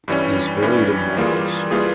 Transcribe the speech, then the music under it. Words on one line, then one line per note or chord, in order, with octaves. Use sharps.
He is buried in Niles.
G2 E3 G3 C#4
G2 E3 G3 C#4
E3 G3 A#3 F4 G#4
E3 G3 A#3 F4 G#4